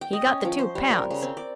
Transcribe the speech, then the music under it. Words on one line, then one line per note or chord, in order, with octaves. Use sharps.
He got the two pounds.
G5
D#5
C#4
F3
C5
G3
A#4
C#3
C4
D5